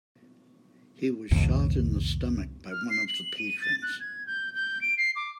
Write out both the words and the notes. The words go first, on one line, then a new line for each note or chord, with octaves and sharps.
He was shot in the stomach by one of the patrons.
C2 F2 A#2 D#3
F6
C7
F#7
D#7
A6
F#6
G#6
G6
G6
D7
C7
D6